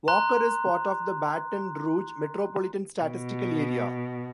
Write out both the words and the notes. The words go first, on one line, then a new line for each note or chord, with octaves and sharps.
Walker is part of the Baton Rouge Metropolitan Statistical Area.
A#5 C6 F#6
B2